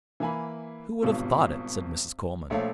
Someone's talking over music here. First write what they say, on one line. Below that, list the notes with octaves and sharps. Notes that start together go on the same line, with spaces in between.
"Who would have thought it?" said Mrs. Coleman.
E3 A#3 G#5 B5
G#1 G2 B2 F4
A#1 A3 A4 C#5 F5